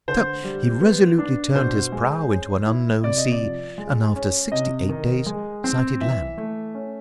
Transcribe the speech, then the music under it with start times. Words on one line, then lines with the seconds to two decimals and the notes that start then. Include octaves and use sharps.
So he resolutely turned his prow into an unknown sea, and after sixty-eight days sighted land.
0.08 D3 C5
0.44 G3
0.81 B3
1.18 D4
1.55 B2 C5
1.92 G#3
2.29 C#4
2.66 E4
3.03 C3 D5
3.18 D#5
3.32 D5
3.42 F3
3.78 G#3
4.16 C#4
4.52 C3 D#5
4.89 D#3
5.26 G#3
5.64 C4
6.01 E3 E5
6.38 A3
6.75 C#4